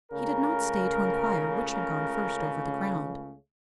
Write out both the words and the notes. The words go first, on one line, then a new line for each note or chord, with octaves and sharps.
He did not stay to inquire which had gone first over the ground.
C#2 C#3 A3 A#4
A#4